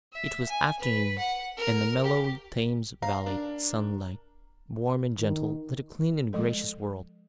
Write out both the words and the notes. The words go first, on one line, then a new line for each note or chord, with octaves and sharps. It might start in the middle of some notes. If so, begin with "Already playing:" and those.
It was afternoon, and the mellow Thames Valley sunlight, warm and gentle, lit a clean and gracious world.
E5
G#5
B4
F#5
A#4
G4
F5 A#5
D4 A#4
D#3
F3 G#3 A4